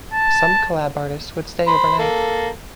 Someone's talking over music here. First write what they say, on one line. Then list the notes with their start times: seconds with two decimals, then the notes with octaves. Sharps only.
Some Colab artists would stay overnight.
0.14 A5
1.67 C5 B5
1.99 A#3 A4